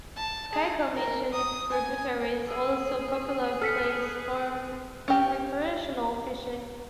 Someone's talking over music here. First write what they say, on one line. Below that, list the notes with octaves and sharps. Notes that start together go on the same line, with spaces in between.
Skykomish and its tributaries also popular place for recreational fishing.
A5
G#4
A#4
D#6
G#5
G#4 A4
A4 B4 F6 B6 C#7
C#4 G4